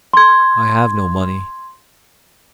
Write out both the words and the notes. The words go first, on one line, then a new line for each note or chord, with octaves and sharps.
"I have no money."
C6 G#6